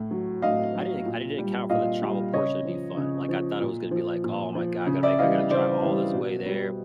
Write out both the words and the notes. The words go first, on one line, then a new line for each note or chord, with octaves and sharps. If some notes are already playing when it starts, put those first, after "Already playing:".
I didn't I didn't account for the travel portion to be fun. Like I thought it was gonna be like, "Oh my God, I gotta make I gotta drive all this way there.
Already playing: A2
F#3
A2 D#5 F5
F#3
A#2
G3
A#2 D#5 F5
G3
C#3 C#5 D#5
F3
C#3
F3
A#2
F3
A#2
F3
C#3
D5 E5
E3 G3 D#5 F5
C#3 C5 D5
E3 G3
B2
G3